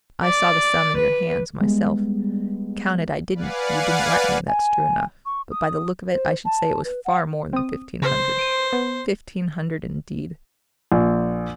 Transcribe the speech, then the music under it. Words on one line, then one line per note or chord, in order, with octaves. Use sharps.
I saw the sum in your hands, myself--count it I didn't, you didn't let me, that's true enough--but by the look of it I should say it was far more than fifteen hundred ... fifteen hundred, indeed!
D5
B4
G3 G#3 B3
B4 D5 F5 F#5 G#5
G#5
C#6
D#6
C5
A5
B4
F#5
C4 D#6
C#3 C5
D7 D#7
B3
A#1